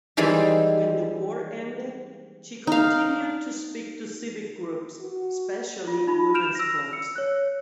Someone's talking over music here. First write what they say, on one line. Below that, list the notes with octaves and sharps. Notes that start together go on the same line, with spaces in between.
When the war ended, she continued to speak to civic groups, especially women's clubs.
D#3 E3 G3 G#3 C4
D#4 F5
F#4
F4
D#4 F4 B5
F6 G6 D7 E7 F7
E6 A#6
E6 C#7
C#5 F#6